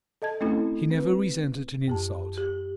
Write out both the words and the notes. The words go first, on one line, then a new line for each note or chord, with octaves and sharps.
He never resented an insult.
A4 D#5 A5 G#6
A3 C4 C#4 E4 A4
C4 B4
F#2 G4 A5
G4